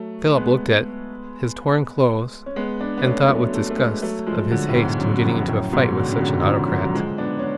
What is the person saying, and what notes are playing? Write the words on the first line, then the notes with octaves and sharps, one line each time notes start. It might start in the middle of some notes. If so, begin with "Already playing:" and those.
Philip looked at his torn clothes, and thought with disgust of his haste in getting into a fight with such an autocrat.
Already playing: F#3 A3
G#3 B3
C#4
G#3 B3
B3 D4
B3
A3 C#4
B3
F#3 A3
F#3 A3
A3
G#3 B3
F#3 A3
F3 G#3
D3 F#3
A2
G#2 B2
F#2
F#2
F2 G#2
F#2 A2
G#2 B2
D3 F#3
C#3
B2 D3
C#3 F3
D3 F#3
F#3
F3 G#3
B3 D4
C#4